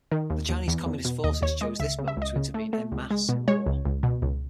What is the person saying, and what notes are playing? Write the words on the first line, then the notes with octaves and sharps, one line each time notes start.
The Chinese Communist Forces choose this moment to intervene "en masse" in the war.
D#3
D#2
D#2
E2
E2
B2
D#2 D#5
D#2 C#5
G#3 D#5
C#2 E5
C#3
E5
C#2 D#5
C#3
A3
A3
C#2
G#3
B2
G#3 C#5
C#2
C#2
B2
C#2